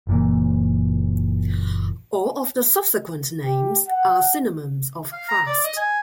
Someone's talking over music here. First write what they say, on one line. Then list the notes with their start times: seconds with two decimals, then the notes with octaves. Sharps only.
All of the subsequent names are synonyms of "fast".
0.07 F#1 A#2 E3
3.44 G4
3.88 F#5
5.12 F5
5.29 A#5
5.47 D5
5.64 D#5
5.77 G#5